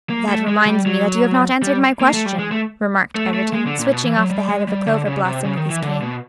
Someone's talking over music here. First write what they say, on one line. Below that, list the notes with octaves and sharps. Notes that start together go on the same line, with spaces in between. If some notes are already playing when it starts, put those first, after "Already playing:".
"That reminds me that you have not answered my question," remarked Egerton, switching off the head of a clover-blossom with his cane.
A#3
A3
G#3
G3
F#3
G3
A#3
A3
G3
G#3
A3
A3
A3
G#3
D3
A#2
B2
E3
F#3
G3
G#3
G3
D3
C#3
C3
C#3
D#3
E3
D3
B2